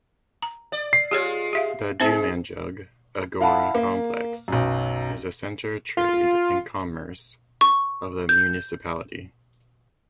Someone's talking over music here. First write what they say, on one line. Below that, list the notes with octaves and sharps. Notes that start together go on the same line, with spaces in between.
The Dumanjug Agora Complex is the center of trade and commerce of the municipality.
A#5
D5
C7
G#3 F4 G4 G#4 C#5
G4 E5 F5
C4 D#4 G#4 C5 A5
E4 F5 F#5 A5 B5
A#3
B1 F#2
F4
C#6
G6